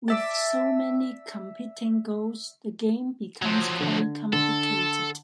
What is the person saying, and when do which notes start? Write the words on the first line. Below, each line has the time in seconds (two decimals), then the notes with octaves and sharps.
With so many competing goals, the game becomes quite complicated.
0.08 D5 E5 A5
3.42 F3 F#3
3.80 D3
4.33 D3 A4